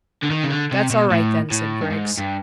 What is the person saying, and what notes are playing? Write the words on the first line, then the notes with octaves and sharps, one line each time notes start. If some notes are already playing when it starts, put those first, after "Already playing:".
"That's all right, then," said Griggs.
D3
D#3
C#3
D3
C3
B2
A2
A2
G2
G#2
G2